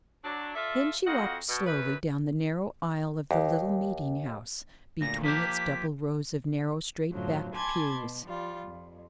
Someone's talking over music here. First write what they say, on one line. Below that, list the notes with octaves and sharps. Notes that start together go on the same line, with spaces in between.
Then she walked slowly down the narrow aisle of the little meeting-house, between its double rows of narrow straight-backed pews.
F#3 D4
F4 A4 D5 E5
F2 F#4 D#5 F5 F#5
B2
F#2 B4
D#2
D2 A#2 A#6
F3 A#3 G4 B6
F#2 A2 D3 F3 F#3
G#5 A5 B5 C6 D6 G#6
B2
F3 G3 F4
F2